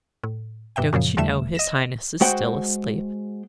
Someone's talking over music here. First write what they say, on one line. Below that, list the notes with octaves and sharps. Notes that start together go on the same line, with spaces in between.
Don't you know his highness is still asleep?'
A2
G2 B2 E5 G5
F#2 A#2 C#3 F3
E2 D3 G3 A3 E5 E7
D#5 A#6 E7
G#3 F#4 C5 F#5 G5